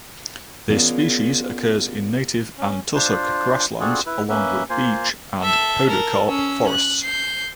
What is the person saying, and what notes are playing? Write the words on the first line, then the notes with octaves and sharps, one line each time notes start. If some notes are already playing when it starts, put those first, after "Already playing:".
This species occurs in native and tussock grasslands along with beech and podocarp forests.
B3 C#4 F4 G#4 A#4 D5
C#4
D4 F4 C5
C4 D4 F4 F#4 G#4 A4
E4 B4
A#3 C#4 B4 E5
A#3 F4 C5 G#5
A4 E5
A4 A#4
C#4 E6
F#6
G6 C7